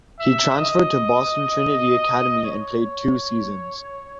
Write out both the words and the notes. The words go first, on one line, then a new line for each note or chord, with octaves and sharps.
He transferred to Boston Trinity Academy and played two seasons.
E5
D#5
C#5
C#5